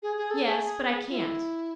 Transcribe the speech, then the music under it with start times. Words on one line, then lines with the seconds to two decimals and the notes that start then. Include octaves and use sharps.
"Yes, but I can't."
0.03 G#4
0.17 G#4
0.31 A4
0.45 G#4
1.10 F4
1.16 E4